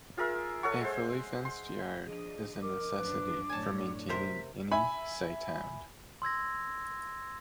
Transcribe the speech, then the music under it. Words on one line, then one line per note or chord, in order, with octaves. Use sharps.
A fully fenced yard is a necessity for maintaining any sighthound.
F4 G#4 A#4 E5
A4 C#5 F#5 C#6
G#3 C5
C6
F3 D4 G#4 D#5
A#4 D6
F#2 F3 D4 B4
F#2 A2 D4 C#5 G#5 A5
C3 A#4 C5 B6
E5 G#5 B5
C6 E6 G#6 A#6